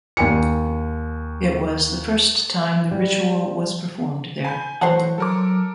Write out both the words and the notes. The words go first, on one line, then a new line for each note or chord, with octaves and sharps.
It was the first time the ritual was performed there.
D#2 G#5 C#7
G3
G#5 B5 G6
E3 F#3 A3 C5 C#5 F#5 A5
F#3 A4 A#4 D6